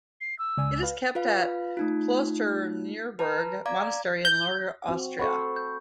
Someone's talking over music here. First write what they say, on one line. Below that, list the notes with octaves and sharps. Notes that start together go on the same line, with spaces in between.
It is kept at Klosterneuburg Monastery in Lower Austria.
C7
E6
C#2 D5 G#5
B4 F5
F4 B4 F5
A3 D#4 F4
B4 A5 A#5
D5 F5 A#5 D6 G#6
G6
C4 F#4
A4 C5 F#5 B5 C#6
G6